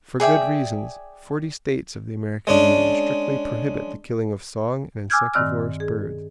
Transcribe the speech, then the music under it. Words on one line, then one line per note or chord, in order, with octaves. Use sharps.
For good reasons, forty states of the American Union strictly prohibit the killing of song and insectivorous birds.
G#4 D5 E5 G5
G#3 C#4 D4
G#5 D6 E6 F6 G6 G#6
G2 D#3 C4 D5 E6 F6
G#4